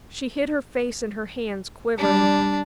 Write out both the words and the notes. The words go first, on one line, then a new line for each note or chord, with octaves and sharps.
She hid her face in her hands, quivering.
G3 D4